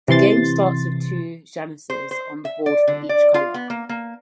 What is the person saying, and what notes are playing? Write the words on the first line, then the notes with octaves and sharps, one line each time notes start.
The game starts with two januses on the board for each color.
C3 E3 C6 A6
C5
C5
E5
D5
D3
D5
F4
B3
A#3
A#3